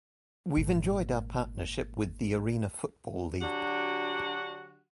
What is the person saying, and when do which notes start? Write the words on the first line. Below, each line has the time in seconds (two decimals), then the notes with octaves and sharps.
We've enjoyed our partnership with the Arena Football League.
0.57 G#1 A#2
3.42 D3 F#3 D4 F#4 G4 F#5